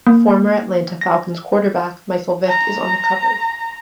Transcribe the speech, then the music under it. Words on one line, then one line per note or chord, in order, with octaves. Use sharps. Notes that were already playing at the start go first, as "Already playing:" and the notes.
Former Atlanta Falcons quarterback Michael Vick is on the cover.
A#3
A#6
A#5